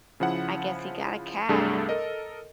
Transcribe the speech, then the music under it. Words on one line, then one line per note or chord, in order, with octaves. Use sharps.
I guess he got a cab
C#3 F3 E4 F#5
C2 G2 A3 D4 G#4 A4
A4 A#4 D#5